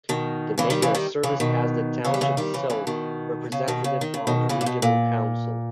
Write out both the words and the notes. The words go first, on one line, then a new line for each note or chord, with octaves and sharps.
The mayor serves as the township's sole representative on Regional Council.
B2 D#3
C#3 E3
D#3 G3
C#3 E3
D#3 G3
C#3 E3
B2 D#3
C#3 E3
G3
C#3 E3
D#3 G3
C#3 E3
C#3 E3
B2 D#3
C#3
B2 D#3
C#3
D#3
C#3
B2 D#3
C#3 E3
A#2
B2
A#2